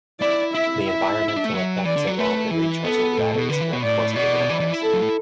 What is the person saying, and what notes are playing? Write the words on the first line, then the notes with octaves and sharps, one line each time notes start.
The environmental effects involved in recharging the batteries can of course be minimised.
E4 D5
E4 E5
E5
E4
D4
A3
F#3
E3 D5
D3
F#3
A3 B4
E3 E4
B3 A4
A2
B2
D3 B4
E3
B2
A2 D5
B2 D5
E3
E3
E4
A4
F#3
A3